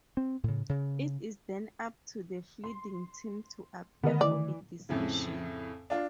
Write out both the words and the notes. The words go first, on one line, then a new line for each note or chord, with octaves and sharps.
It is then up to the fielding team to appeal for a decision.
C4
A2 C#3
C#3
C6
D3 D#3 A3 B3 A#4 D#5
E3 D5
F2 A2 C#3
D4 F4